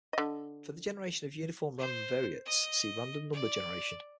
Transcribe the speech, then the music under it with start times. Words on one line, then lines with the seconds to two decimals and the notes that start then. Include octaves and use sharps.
For the generation of uniform random variates, see Random number generation.
0.13 D3 D#5
1.79 C5
2.46 D#5
3.33 D5